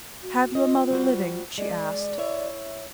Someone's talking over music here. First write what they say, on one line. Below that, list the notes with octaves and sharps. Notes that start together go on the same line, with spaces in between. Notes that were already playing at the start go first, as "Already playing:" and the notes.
"Have you a mother living?" she asked.
F#4
F4 D#5
G3 F#4 C5
G#3 D5
E4 C#5 E5